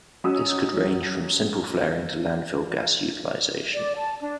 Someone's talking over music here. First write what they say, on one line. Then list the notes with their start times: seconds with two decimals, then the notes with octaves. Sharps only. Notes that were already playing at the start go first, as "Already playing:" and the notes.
This could range from simple flaring to landfill gas utilization.
0.24 F#3 C#4 F#4 D#5 D#6 E6
3.73 D5
3.96 A5
4.21 D4